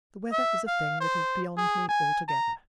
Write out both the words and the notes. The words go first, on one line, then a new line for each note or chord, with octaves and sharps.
The weather is a thing that is beyond me altogether.
E5
F5
C5
G#4
G#5
A#5